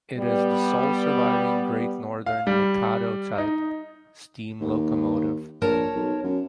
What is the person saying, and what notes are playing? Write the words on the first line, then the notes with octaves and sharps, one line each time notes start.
It is the sole surviving Great Northern "Mikado" type steam locomotive.
G3 B3
F5
G3
D#4
D#2
A#1 A#4 C#5 A5
B1
F#2